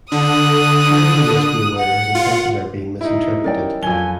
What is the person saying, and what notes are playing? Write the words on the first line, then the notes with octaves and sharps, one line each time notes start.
Surely he must be aware his intentions are being misinterpreted.
D3 D#6 F#6
F#5
F4
D#4 E4
G3 C#4 A#4 D5 G5
F2 F#3 F4 G#5 G7